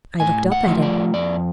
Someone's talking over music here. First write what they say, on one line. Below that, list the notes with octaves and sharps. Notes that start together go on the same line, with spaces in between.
I looked up at him.
A2 G#5
F#5
F3 A3 F4
D5
F2 D5